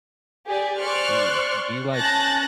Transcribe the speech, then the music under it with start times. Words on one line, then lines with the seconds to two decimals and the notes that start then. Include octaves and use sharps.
Ooh, do you like
0.47 G4 G#4 D5
0.79 C5 D5 C6 C#6 F6 F#6
1.95 C#4 A5 F#6 G6 A6 A#6